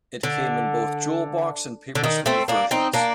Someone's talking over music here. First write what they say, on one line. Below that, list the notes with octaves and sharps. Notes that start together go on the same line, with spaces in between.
It came in both jewel box and paper sleeve versions.
D3
D3
D#3
A3 C4
A#3 D4
C4 D#4
A#3 D4